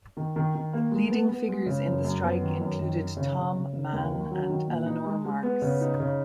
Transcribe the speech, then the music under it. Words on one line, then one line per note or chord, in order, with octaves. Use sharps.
Leading figures in the strike included Tom Mann and Eleanor Marx.
D#3
D#3
D#3
A#3
G#3
B3
B3
G#3
C#3
F#2
F#2
B3
D#3
F#2
D#3
D#3
C#3
C#3
C#3
C#3
D#2
D#3
F#3
D#3
A#2
D#4
G#3
G#3
B3
C#3
D#4
C#3